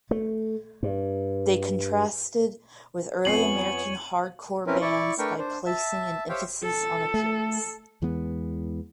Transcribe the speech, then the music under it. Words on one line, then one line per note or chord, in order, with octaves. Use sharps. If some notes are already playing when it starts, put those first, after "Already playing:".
They contrasted with early American hardcore bands by placing an emphasis on appearance.
A3
G2
F2 B3 C#5 G#5 C7 F#7
C4 C#4 E4 A#4 B4
E4 D5 C#6
A3 D4 A#4 B4 G5 C#6
D4 C5
E5 A5
G4 C5 C#5 E5 F5 G5
A4
A3
E2 E3 G#3 B3